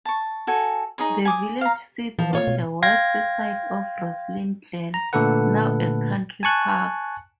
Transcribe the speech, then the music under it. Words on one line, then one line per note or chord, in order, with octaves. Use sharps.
The village sits on the west side of Roslin Glen, now a country park.
A5 C#6
F#4 A4 G#5
D#4 G#4 C#5
G#5 D6 D#6
F5 A#5
E3 F3
F4 C#5
B2
F5 G5 C6 G#6 A#6
A#5
A#2 D3 A3 A4 B4 F#5
G#5 A5 C#6 F#6